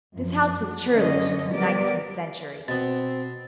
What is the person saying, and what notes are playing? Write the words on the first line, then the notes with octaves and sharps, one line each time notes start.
This house was churlish to the nineteenth century.
F#2 F3
F#3
F#2 D3 C#4 D#5
G3 B3 G4 A#4 D5
B2 B3 C4 A6